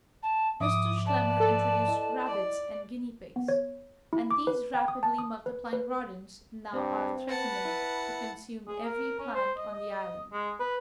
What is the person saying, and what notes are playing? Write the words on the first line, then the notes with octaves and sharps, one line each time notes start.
Mr. Schlemmer introduced rabbits and guinea-pigs; and these rapidly multiplying rodents now are threatening to consume every plant on the island.
A5
G#2 F3 E5 D6 D#6
B4 D5 A5
A4
E4 D#5
D5
B3
C#5
E4
D6
B4
G5
D#6
A5
D#6
B4
B4
G2 C4
B4 F#5 A5
E4
G#4
A#4
C#4
C5
D#5
D#5
G#3
B4